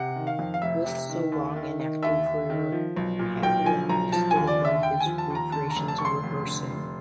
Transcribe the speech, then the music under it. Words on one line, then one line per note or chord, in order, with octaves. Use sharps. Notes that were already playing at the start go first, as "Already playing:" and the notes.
With so long an acting career Haviland listed among his recreations "rehearsing".
Already playing: C3 F#5
D#3
F5
F2
F5
F1 E5
C3
D#3
D#2
D#3
D#3
D#2 E5
D#2
D#3
F3
B1
A#2
B1 G5
F3 G#5
B1 A#5
F3 A5
D#2 G#5
D5
D3 E5
D#2 G5
G#5
F3
A5
D#2
A#5
D3 A5
A#5
F1
A5
D#2 C#6
C6
F1
D3
F1